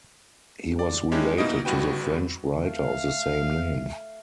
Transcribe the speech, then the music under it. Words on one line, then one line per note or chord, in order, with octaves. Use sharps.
He was related to the French writer of the same name.
D5
G#3 C#4 D4 E4 G4
B2 A#3 D#4 E4 D#5 D7
G1 G2 F#4 B4 G5
A3 F5